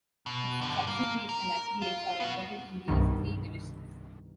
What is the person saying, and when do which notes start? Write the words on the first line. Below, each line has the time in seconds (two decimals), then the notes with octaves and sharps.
Its subsidiaries and affiliates are embedded in these three divisions.
0.26 B2
0.61 G2 D3
0.87 A#3
1.29 A#4
1.82 F4
2.20 B3 F#4
2.88 C2 G2 B2 D#3